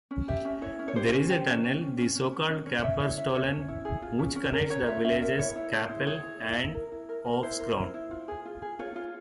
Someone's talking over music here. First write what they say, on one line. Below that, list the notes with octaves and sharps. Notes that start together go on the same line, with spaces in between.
There is a tunnel, the so-called Kapplerstollen, which connects the villages Kappel and Hofsgrund.
C#4
G4 E5
C#4
E4 C#5
C#4
C#5
G4 C5
C#4
G4
C#4
C#4
C#4
C#4
C#4
C#4
C#4
C#4 C#5
C#4 E5
E4 C#5
C#4 E5
C#4 C#5
C#4
E4
G#4
F4
C#4
C#4
A#4
C#4 C#5
F4 E5
C#4 E5
A#4 E5
E4 C#5
E4
G#4 C5
E4
G#4 C#5
E4
E4
E4
A#4
E4
A#4
A#4
E4 C5
A#4
E4
E4
F4
G#4
F4
G#4
F4 C#5
F4